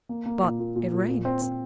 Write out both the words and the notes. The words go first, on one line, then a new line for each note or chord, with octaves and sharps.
"But it rains."
A#3
A#3
A#2
A#2
A#2
A#2
A#2
C4
C4